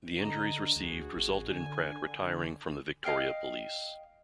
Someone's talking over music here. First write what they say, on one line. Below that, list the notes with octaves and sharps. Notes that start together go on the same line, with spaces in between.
The injuries received resulted in Pratt retiring from the Victoria Police.
D3 D#5 A#5
D2 F#4 G#4
G#1
D3 G#5
D#5 F5 G5 F6